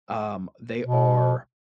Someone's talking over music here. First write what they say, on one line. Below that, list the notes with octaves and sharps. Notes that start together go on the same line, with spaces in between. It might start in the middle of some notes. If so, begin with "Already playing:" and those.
um, they are
B2